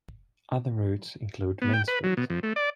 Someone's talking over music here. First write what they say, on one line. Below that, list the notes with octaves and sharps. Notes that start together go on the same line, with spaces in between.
Other routes include Main Street.
B3
G5
B4
F#3
B2
F2
A3
D5